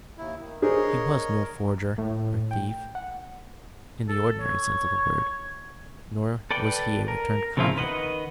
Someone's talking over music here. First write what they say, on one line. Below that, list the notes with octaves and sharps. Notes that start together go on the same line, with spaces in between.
He was no forger, or thief--in the ordinary sense of the word; nor was he a returned convict.
D#2 E4
D#3
D4 G#4 A#4 C5 C#5 D#5
A2
G5
F#5
A4
C#5
A4 B4 D5 G5
A#4
C#3 F3 C4 E4 F4
D#3 B4 D#5 F#5